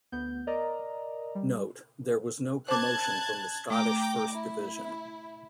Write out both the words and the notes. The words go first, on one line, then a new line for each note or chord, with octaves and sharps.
Note: There was no promotion from the Scottish First Division.
D2 B3 G6
A#4 D5 D#5 A#5
G3
C5 A5 D6 F#6 G#6
A3 G5 A#5 D6
E4